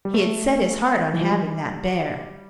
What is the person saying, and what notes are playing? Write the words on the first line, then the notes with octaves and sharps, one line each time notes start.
He had set his heart on having that bear.
G3
A3
E3
F3
G3